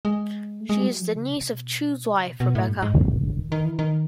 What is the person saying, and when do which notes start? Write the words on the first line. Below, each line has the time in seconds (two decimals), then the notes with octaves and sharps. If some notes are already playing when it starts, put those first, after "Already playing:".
She is the niece of Choo's wife, Rebecca.
0.05 G#3
0.60 A3
0.69 G#3
0.79 G3
0.88 F#3
1.02 F3
1.16 C#3
1.30 C3
1.51 B2
2.14 C#3
2.27 B2
2.40 B2
2.55 A2
2.69 G2
2.82 G#2
2.96 C3
3.10 C#3
3.24 D3
3.38 D#3
3.52 D#3
3.65 E3
3.79 D#3